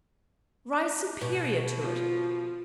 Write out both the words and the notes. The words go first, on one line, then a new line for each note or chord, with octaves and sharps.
Rise superior to it.
B2
F3